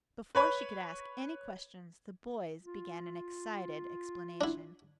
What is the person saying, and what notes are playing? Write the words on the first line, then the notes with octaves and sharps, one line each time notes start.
Before she could ask any questions, the boys began an excited explanation.
B4 C#5 B5
F4
D4 E4